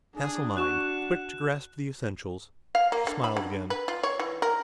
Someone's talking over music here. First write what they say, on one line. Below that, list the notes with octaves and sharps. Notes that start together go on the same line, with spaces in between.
"Facile mind--quick to grasp the essentials." She smiled again.
D4 G#4
F#4 F#5 C#6 F#6 E7
F5
A#3
D3
B5
D3
B4
F4
C#5
E3
A#4